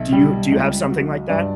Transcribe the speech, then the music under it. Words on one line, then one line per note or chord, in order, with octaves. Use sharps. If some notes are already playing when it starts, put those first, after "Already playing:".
Do you Do you have something like that?
Already playing: B1 E5
G3
C#2
F#3
G2 D5